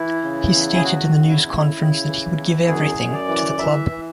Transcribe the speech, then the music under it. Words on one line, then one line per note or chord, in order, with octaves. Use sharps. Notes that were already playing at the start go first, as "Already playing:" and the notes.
He stated in the news conference that he would "give everything" to the club.
Already playing: E3 E4
C#3
E2
G#4
E2 F#4
C#3
E4
C#3
C#3
E3
E2
F#2 G#4
F#2
D5
E3
E3 E5
E3